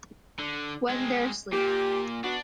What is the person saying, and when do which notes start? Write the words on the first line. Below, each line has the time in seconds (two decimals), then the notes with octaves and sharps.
When They're Asleep.
0.39 D3
0.90 G#3 C4
1.53 A#2 G4
2.24 B3 D4 F#4